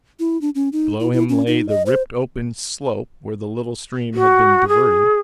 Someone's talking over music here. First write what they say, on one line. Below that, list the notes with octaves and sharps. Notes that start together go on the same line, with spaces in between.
Below him lay the ripped-open slope where the little stream had been diverted.
E4
D4
C#4
D#4
E4
E4
C#4
D#4
D#5
C5
F#4
G#4